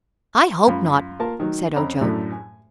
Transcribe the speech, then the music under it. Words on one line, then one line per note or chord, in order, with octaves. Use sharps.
"I hope not," said Ojo.
F#2 F4 B5
A#3 F4 A#4 A5
D#3 F#3
F2 C4 C#4 A#5 B5
F#2 A2 F#3 A3 D4
G#5